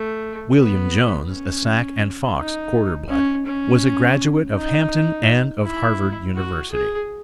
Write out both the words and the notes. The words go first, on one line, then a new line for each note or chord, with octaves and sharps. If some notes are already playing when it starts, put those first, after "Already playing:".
William Jones, a Sac and Fox quarter blood, was a graduate of Hampton and of Harvard University.
Already playing: A3
B3
C#4
D#4
C#4
C#4
D#4
E4
F#4
G#4